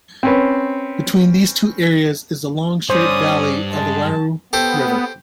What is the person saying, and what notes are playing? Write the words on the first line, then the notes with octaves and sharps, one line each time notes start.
Between these two areas is the long straight valley of the Wairau River.
C4 C#4 B4
G2 C#4 C5 D5 D#6
G#3 A5
B3 G4 A4 C5